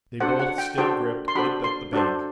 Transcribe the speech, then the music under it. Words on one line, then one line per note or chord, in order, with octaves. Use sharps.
They both, still gripped, looked up the bank.
D4 F#4 A4 C5 F#5
F#5
G5
D4 F#4 A4 C5 G5
C6
D4 F#4 A4 C5 B5
C6
D4 F#4 A4 C5